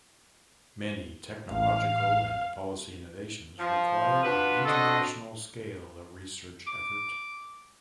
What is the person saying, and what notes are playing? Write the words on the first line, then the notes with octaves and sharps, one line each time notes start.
Many technological and policy innovations require an international scale of research effort.
A1 F5
F3
D4 F4 F#4 B4
C4 D4 F#4 A4 D#5
D6